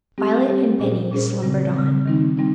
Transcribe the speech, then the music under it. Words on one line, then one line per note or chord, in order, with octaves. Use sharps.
Violet and Benny slumbered on.
G3 C4 G4
G3 C4 G4
A#2 G3 C#4 G#4 C5
A#2 G3 C#4 G#4 C5
C#3 G3 C4
C#3 G3 C4
D#3 G3 C4 D#4
G3 C4 D#4